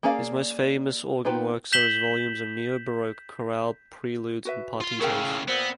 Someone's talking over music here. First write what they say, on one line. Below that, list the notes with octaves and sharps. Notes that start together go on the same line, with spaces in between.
His most famous organ works are his volumes of neo-Baroque chorale preludes and partitas.
A#3 C#4 G#4 D5 F5
B3 D#4 F4 B4 G5
G6 B6 E7 F#7 G7
F#4 B4 E5
F4 C6
A2 C#3 A3 F4 G#4 A#4 G5
A#2 B3 C4